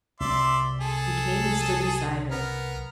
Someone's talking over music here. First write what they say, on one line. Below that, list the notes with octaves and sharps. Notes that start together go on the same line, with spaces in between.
He came and stood beside her.
C2 F#3 D5 E5 C6
G#4 A4
B3 A#4